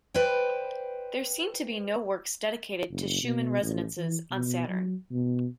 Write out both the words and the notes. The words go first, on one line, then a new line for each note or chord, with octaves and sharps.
There seem to be no works dedicated to Schumann resonances on Saturn.
B4 C5 D5 G5
F#1
B2
A1
E3
B2
F#3
B2